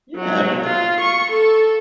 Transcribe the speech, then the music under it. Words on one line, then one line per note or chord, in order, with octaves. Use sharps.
Yeah, well
F#3
F4
C#6
A4